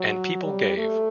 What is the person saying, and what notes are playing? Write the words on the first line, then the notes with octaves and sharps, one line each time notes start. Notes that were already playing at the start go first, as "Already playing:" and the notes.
And people gave.
Already playing: F#3
G3
A3